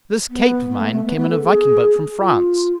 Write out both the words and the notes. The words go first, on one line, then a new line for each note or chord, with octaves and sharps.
This cape of mine came in a viking boat from France.
B3
B3
A3
A3
B3
B3
A4
G#4
F4